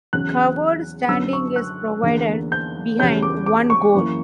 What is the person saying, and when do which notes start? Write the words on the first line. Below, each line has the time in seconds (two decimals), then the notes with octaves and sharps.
Covered standing is provided behind one goal.
0.13 E2 C#3 F#3 C#4 F#6
1.09 F#2 D3 F#3 C#4 E6
1.33 C#6
1.56 F#6
2.03 E2 D3 A#3
2.52 G6
2.99 E2 C#3 G3 C#4 G6
3.22 D6
3.46 D6
3.70 C#6
3.95 F#2 E3 A#3